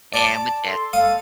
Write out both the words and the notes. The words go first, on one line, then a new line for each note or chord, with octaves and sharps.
And would just
D5 A5 D6
A4 C6
G#3 A#3 A4 F5 D#6